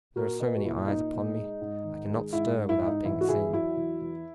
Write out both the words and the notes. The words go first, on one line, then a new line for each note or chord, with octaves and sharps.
"There are so many eyes upon me, I cannot stir without being seen."
A#2 F#4 A#4
A#2 B4 D#5
F#4
A#2 E4
A#2 D#4
A#2
G#3
G#2
D#3
G#3
G#2 E4
G#2
E4
G#2 E4
D#4
E2 E4
F#4
E2 E4 G#4
F#3 E4
E2
E2